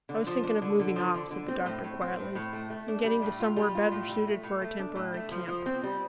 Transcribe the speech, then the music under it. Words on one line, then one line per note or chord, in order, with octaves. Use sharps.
"I was thinking of moving off," said the doctor quietly, "and getting to somewhere better suited for a temporary camp."
D3
F3
D4
D3
D3
F3
D3
D3
C4
A2
A2
C4
A2
A2
A3
A3
D4
G3
A2
F4
G3
F4
A2
G3
A3
A2
A3
D4
A2
A3
F3
F3
C4
G3